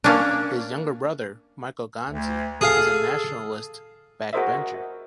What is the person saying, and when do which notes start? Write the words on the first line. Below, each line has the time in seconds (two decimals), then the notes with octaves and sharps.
His younger brother, Michael Gonzi, is a Nationalist backbencher.
0.04 A#3 C#4 D4
2.10 D2
2.61 G#4 A4 F5
4.33 F#4 G#4 A#4 C5 D#5 E5